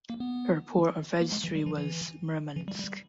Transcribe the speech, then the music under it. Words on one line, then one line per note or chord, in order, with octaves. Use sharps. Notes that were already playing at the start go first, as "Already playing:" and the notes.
Her port of registry was Murmansk.
A#3
B3
A#3
G#3
E3
G3
E3
E3
E3
G3
G3